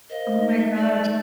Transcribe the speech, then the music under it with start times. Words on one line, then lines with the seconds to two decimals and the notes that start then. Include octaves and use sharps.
Oh my gosh.
0.10 A#4 C5 D#5 F5
0.39 D#4
0.57 E5
0.76 D5